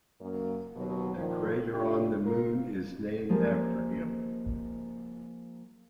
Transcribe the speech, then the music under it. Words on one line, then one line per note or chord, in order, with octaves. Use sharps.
A crater on the Moon is named after him.
F#2 A#3
D#2 B2 F#3
A#2 D#3 F3
D4 E4 F4 G4
F4 A#4
F3 G#3 A#3 G4 C5